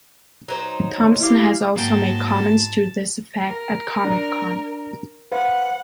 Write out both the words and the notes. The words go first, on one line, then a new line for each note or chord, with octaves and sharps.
Thompson has also made comments to this effect at Comic-Con.
F#3 D#4 C5
A3 E4 G4 F5
G#2 F#3 A#3 F#4 G5 A5
A#4
D4 D5 A#5
B4 C5 F5 F#5